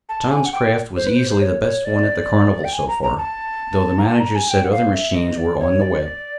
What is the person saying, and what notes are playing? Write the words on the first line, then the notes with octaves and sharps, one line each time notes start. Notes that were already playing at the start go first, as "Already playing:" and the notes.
Tom's craft was easily the best one at the carnival, so far, though the managers said other machines were on the way.
A5
G#5
F#5
G5
C5
B4
C5
C5
C#5
C#5
D5
G5
G#5
A#5
A#5
A5
A#5
A5
A#5
G#5
G5
F#5
F5
E5
D#5
D5
C#5
D5